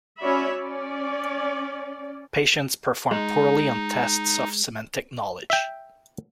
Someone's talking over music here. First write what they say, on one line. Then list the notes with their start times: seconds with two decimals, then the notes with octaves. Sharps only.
Patients perform poorly on tests of semantic knowledge.
0.20 C#4 F#4 C#5 D5 E5 B5
0.54 C#4 D5
3.11 G#3 D#4
5.50 E5 G5